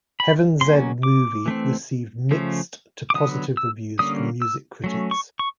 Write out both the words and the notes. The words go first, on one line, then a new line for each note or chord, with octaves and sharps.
Heaven'z Movie received mixed to positive reviews from music critics.
B5
C#3 F#3 A#3 C#4 C6
D6
E3 A3 C4
C#3 F3 A3 C#4
D6
D3 F#3 B3 D#6
E6
D3 G3 A#3 C#4 D#6
E6
F#3 A3 C#4
C#6
C#6